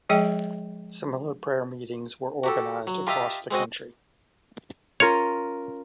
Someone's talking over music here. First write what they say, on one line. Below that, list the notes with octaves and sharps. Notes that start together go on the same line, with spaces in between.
Similar prayer meetings were organized across the country.
F3 G#3 G#4 D#5 G5
F#4 G4 A4
F#3
F4 G4 D#5 E5 A5 A#5
G#3 C4 F#4 D#5
C#4 F4 A#4 C#5